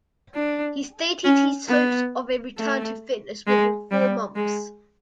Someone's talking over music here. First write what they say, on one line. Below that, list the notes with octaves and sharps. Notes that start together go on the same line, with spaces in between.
He stated his hopes of a return to fitness within four months.
D4
C#4
B3
A3
G#3
G3
G#3